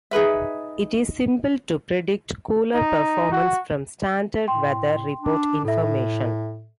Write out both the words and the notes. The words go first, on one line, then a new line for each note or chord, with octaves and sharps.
It is simple to predict cooler performance from standard weather report information.
D#4 G#4 B4 E5
D#4
F#4
A2 G5 C6
D4
A2 A4 E5